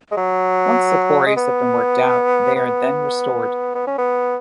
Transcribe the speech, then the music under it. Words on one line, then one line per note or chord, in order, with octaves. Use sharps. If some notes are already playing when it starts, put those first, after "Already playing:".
Once the quarries have been worked out they are then restored.
G#3
F#3
G#3
B3
B3
B3
C#4
B3